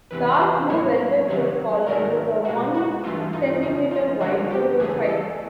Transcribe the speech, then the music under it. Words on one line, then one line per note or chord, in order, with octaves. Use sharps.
Dark blue velvet shirt collar with a one centimetre wide silver stripe.
E2 C3 E3 B4
C5
A2 F#3 A#3 C#5
C3 D#3 F#3
G#2 D#3 F#3 A3 A#4
B2 G#3 F#4
F#4
G2 E3 A3 F4
D#4
F2 C#3 F3
F4
G2 D3 F3 A#3 F#4
G4
E2 C#3 E3 A3 G#4
A4